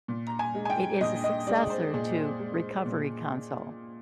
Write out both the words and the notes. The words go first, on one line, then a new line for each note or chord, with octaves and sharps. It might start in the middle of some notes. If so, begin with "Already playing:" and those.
It is a successor to Recovery Console.
A#2
A#5
G#5
G#3
G#5
G5
A#2 D#5
D#5
G#3 D5
C5
A#2 G#4
G#3
A#2